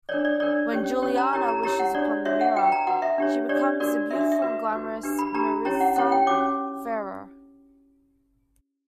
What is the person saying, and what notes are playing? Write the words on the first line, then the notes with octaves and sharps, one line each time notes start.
When Juliana wishes upon the mirror, she becomes the beautiful and glamorous Maritza Ferrer.
D4 A#4 C#5 D5
D5
D4 A#4 C#5 D5
C#4 G4 C#5
C#4 G4 C#5
A#5
E4 G4 A#4 C#5 A#5
A#5
E4 G4 A#4 C#5 A#5
F#5
D4 F#4 C#5 D5
D4 F#4 C#5 E5
F#5
F#4 B4 G5
A#5
F#4 B4 F#5
E5
D4 G4 C#5
D4 G4 C#5 D5
D4 F#4 A#4 D5
D4 F#4 A#4 E5
E5
E5
F#4 B4
F#4 B4
D4 G4 B4
B5
D4 G4 B4 A#5
C#4 E4 G4 C#5 A#5
F#5
C#4 E4 G4 C#5 F#5
G5
C#4 F#4 C#5 D6